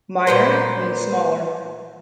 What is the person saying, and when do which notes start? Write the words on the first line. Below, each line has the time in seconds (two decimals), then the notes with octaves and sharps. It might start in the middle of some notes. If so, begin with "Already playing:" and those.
"Minor" means 'smaller'.
0.27 A#2 B4 C5